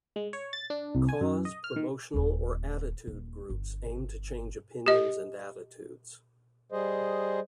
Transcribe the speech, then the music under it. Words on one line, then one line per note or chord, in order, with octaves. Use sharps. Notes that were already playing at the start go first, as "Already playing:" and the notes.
"Cause", "promotional" or "attitude" groups aim to change opinions and attitudes.
G#3
C#5
A6
D4
C2
G#5
F#2
D#5
F6
D#3
D#1 D#2
D#1
G1
G4 D#5
G3 G#4 C5 D#5